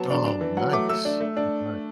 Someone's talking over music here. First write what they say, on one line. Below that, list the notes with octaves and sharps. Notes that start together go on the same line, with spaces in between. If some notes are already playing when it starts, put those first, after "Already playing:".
Oh, nice. Nice.
Already playing: F#3 B3 A5
D4
D4
E3
F#3 F#5
A3 D6
A3 E6
D4
A3
D4